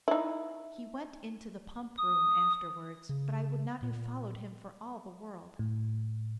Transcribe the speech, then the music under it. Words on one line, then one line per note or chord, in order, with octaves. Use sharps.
He went into the pump-room afterwards; but I would not have followed him for all the world.
D#4 E4
D#6
C#3
A#2
A2